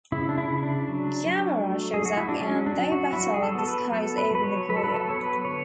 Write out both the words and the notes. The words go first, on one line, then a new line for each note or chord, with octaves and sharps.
Gamera shows up and they battle in the skies over Nagoya.
C#3 E4
D4
E4
C#3
D4
F#3
F#3
A3
G#4
F#3 F#4
E4
D4
F#3 C#4
D4
F#3
F#4
E4
F#3 F#4
G#4
A4
B3 A4
B4
F#3 A4
B4
F#3 B4
C#5
F#3 B4
A4
B4
A4
B3 C#5
B4
D3 C#5